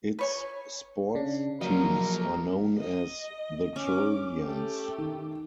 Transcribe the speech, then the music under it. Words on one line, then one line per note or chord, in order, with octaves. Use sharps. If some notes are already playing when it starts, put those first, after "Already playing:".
Its sports teams are known as the Trojans.
B4 C#5 G#5
C#3 D4
F3 F#3 A#3 A#4 D#5
D#5
C#4 D6
A3 G4
D#3